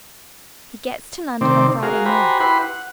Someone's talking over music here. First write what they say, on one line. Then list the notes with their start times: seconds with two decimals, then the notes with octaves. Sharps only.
He gets to London on Friday morning.
1.41 C3 D#3 C4 D5
1.83 F#4 G#4 A#4 F5
2.06 F#4 G4 C5 G#5 A#5 B5
2.40 E4 G4 B4 F#5 B5 C6
2.62 F#5